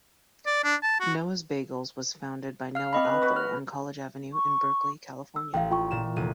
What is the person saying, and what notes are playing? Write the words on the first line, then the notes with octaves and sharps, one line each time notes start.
Noah's Bagels was founded by Noah Alper on College Avenue in Berkeley, California.
D5
D4
A5
F#4
F5 F6
C4 D#5 B5
B4
F#4 B4
F6
C#6
E6
A1 F5 G5
F4 G5 C#6
A#2 E7
F1 D#7